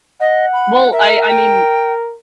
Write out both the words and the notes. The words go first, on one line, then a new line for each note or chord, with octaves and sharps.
Well, I I mean
D#5 F#5
B5
A#4 E5
G5